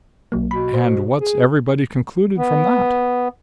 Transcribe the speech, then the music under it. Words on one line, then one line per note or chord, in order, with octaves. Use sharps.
"And what's everybody concluded from that?"
B1 F#3 A#3
B2 B5
C5
G#4
B3